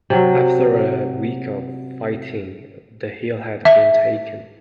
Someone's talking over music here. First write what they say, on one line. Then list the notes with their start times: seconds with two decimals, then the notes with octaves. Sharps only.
After a week of fighting, the hill had been taken.
0.10 C3 F#3
3.65 E5